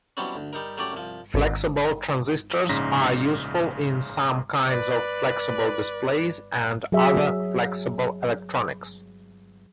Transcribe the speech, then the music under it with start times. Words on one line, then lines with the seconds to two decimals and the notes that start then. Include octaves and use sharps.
Flexible transistors are useful in some kinds of flexible displays and other flexible electronics.
0.17 B2 E3 F#3 G3 C4 C#4
0.35 D2
0.53 G3 D#4 A#4
0.77 F#3 A3 C#4 G4 D5
0.93 C2 F3
1.34 G#1
2.69 A#1 G#2 C#3 A#5 A#6 B6
4.67 B4 D5
6.92 F#3 G#4 E5